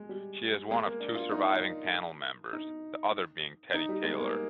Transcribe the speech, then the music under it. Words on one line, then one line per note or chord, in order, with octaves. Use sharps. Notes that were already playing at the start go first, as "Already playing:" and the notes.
She is one of two surviving panel members, the other being Teddy Taylor.
Already playing: G#3
G3
G#3
A#3
D4
F4
D#4
D#4
D#4
G3
G#3
A#3